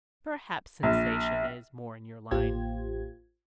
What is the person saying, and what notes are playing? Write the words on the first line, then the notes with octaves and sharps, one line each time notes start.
Perhaps sensation is more in your line.
A#1
A1 A#3 F4 G4 C5 G#6